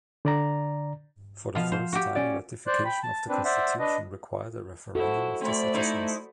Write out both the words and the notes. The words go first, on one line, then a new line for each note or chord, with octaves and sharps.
For the first time, ratification of the constitution required a referendum of the citizens.
D3 D5 A#5
B2 F3 F5
C5
F#4 G4
C#4 D5
C5 D5 F#6
G5 B5
A5
C4 D4 B4
C5 D5 E5 F#5
D4 B4 D#5
E4 F#4 A4 C5
A3 C4 D5 B5
D#4 E4 C5